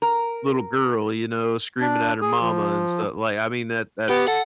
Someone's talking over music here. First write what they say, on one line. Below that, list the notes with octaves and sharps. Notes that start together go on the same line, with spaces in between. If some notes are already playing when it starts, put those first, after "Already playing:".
little girl, you know, screaming at her mama and stu Like, I mean, that that's
A#4
D4
G#4
F3
B3 G4
A4 F#5